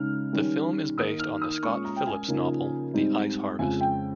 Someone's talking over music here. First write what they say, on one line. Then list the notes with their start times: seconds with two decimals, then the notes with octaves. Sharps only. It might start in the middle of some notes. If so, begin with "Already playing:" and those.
The film is based on the Scott Phillips novel "The Ice Harvest".
Already playing: C#3 G#3 D#4 F6
0.33 D#3 G3 C#4
0.98 D#3 A#3 D#4 D#6
1.19 F6
1.42 D#6
1.63 A#2 G#3 C#4 C#6
1.84 A#5
1.96 G5
2.07 G#5
2.28 C#3 F3 A#3 D#4
2.93 G#2 G3 C4 D#4
3.59 F2 C#3 G#3 G#5
3.81 G5